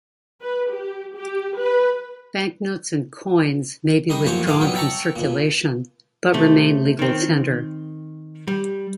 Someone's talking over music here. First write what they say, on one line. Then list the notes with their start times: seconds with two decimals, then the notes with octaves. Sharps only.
Banknotes and coins may be withdrawn from circulation, but remain legal tender.
0.41 B4
0.72 G4
1.16 G4
1.58 B4
4.09 D#3 G3 D#4 D#6
4.24 A1 F#2 F3 A#3 C5 C#5
4.46 A2 F4 G#4 F5 D6
4.61 F#3 G3 B3 C#4
4.75 D5 E5 G5 A5 A#5 C#6
5.16 C#2 A#2
6.34 C3 A3
6.99 D#3 C4
8.48 G3